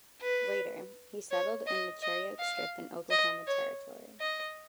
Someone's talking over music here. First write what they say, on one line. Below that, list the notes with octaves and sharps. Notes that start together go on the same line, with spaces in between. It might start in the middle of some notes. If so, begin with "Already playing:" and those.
Later, he settled in the Cherokee Strip in Oklahoma Territory.
B4
C#5
D#5
D#5
F5
D#5
C#5
D#5